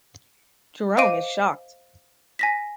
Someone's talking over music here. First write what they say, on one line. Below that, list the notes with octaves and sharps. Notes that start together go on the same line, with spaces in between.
Jerome is shocked.
C5 D#5 F5 D6 D7 D#7
G#5 A#6 B6